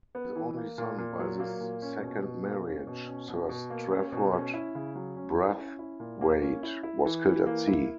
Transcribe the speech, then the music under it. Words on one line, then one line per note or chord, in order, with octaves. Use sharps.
His only son by this second marriage, Sir Strafford Brathwait, was killed at sea.
B3
E3
A#3
A#2
A#2
F#3
A#3
A#2
C#4
B2
B2
A#3
C#4
B2
C#4
B2
B2
A#3
C#4
B2
C#4
E4
C#3
F#3
C#4
E4
C#4
E4
A#2
A#3
C#4
E4
E4
E3
E3
A#3
E4